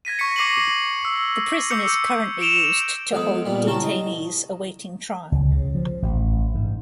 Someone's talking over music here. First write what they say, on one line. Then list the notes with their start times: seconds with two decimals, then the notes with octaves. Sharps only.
The prison is currently used to hold detainees awaiting trial.
0.05 G#6 A#6 B6 D#7
0.19 C#6 A#6 B6 C#7
0.36 D6 A#6 C7 C#7 D#7 F#7
1.05 E6
1.70 D6 E6 G6 C#7
2.41 D7 E7 F7 G7
3.13 F3 G#3 B3 A4 D#6
3.45 A#2 G3 B3
3.67 C#3 E4 G4 A4 A5
3.84 D#5
5.32 C#2
5.51 C#3
5.75 F3
6.02 A1
6.55 G#2